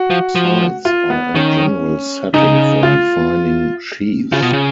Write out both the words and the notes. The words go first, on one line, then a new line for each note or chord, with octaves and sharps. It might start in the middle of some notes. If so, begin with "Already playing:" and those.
Sites are a general setting for defining sheaves.
Already playing: F#4
F3
F3
F4
B3
D#3 C#4
C#3 D#4
F4
C#3 F4
B2
C#3